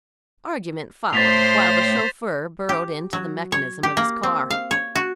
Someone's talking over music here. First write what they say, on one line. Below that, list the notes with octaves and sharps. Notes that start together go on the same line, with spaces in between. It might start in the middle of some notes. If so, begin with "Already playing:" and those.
Argument followed while the chauffeur burrowed into the mechanism of his car.
A2 C5 C6 A6 B6 F7
G4
F#3
C#5
G4
A#3
C4
F5
C#5
F#4